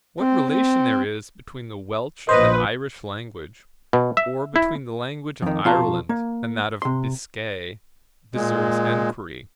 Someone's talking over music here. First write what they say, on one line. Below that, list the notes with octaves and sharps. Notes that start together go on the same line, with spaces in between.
'What relation there is between the Welch and Irish language, or between the language of Ireland and that of Biscay, deserves enquiry.
C4
C4
A#1 A#2 B4 C5 D#5
B2
E5
E4
F2 D#3
F2 B2 F4 F5 A5 A#5
A#3
C3 C6
A#2 G#3